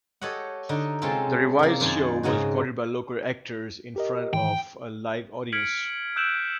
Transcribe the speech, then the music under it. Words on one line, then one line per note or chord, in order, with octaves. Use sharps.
The revised show was recorded by local actors in front of a live audience.
G4 A4 C#5 D#5 F#5
D3 D#4
C3 G#3 C4 C#4 F4 A4
C3 A#3
F#2 D#3 F4 G#5 A5
G#2 C#3 D#4 F#4
G4 A#4 D#5
G#2 D#3 E3 G5
F6 G#6 B6 C#7 D7 F#7
E6 F#6 G6 D7 E7 F#7